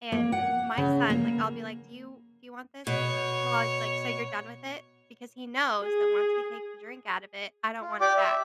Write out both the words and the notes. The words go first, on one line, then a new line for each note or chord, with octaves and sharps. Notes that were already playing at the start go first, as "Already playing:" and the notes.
And, my son, like, I'll be like, "Do you do you want this? He's he'll always be like, "So you're done with it? Because he knows that once he takes the drink out of it, I don't want it back.
A#3
F#5
C#3
A#3
B2 C#5
G#4
F4
G4 D5 G5 D6
E5